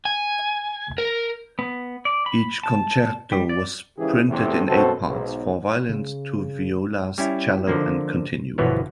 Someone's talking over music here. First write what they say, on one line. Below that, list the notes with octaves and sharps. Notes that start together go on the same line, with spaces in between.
Each concerto was printed in eight parts: four violins, two violas, cello and continuo.
G#5
A#4
B3
D5
B5
A5
G3
D5
G#2 C#3 E3 E4 G4 G#4
E2 C3 E3 A3
F#2 B2 C4 F#4 A4 C5
B1 G#2
C#3
G3 C#4 E4
D3 F3 A#3
G1 B2 E3 F3 B3 C#5